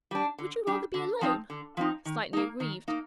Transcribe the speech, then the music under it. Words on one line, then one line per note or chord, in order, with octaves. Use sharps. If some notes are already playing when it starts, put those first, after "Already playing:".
"Would you rather be alone?" slightly aggrieved.
G3 D4
D3
G3 D4
D3
F3 C4 D#4
D3
F3 C4 D#4
D#3
A#3 D#4
D#3
A#3 D#4